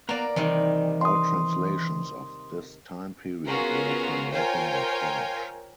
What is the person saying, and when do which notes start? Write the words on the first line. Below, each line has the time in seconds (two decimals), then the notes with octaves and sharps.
All translations of this time period were from Latin or French.
0.09 A#3 B3 B4 D5 A#5
0.36 C3 D#3 E3 G3
1.01 C6 D#6
3.46 B3 C#4 F4 F#4 G#4 A#4
4.32 F4 A#4 C5 C#5 G5 G#5